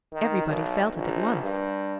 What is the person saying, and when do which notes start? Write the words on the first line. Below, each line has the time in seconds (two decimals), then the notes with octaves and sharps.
Everybody felt it at once.
0.12 D#3
0.47 B1
0.94 A#1
1.41 G2